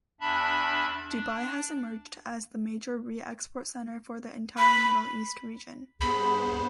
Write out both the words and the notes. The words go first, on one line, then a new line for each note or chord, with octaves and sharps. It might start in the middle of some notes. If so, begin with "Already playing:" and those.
Dubai has emerged as the major re-export center for the entire Middle East region.
E2 D4 E5 A5 B5
D4
B5
G2 B3 G#4 C5 B5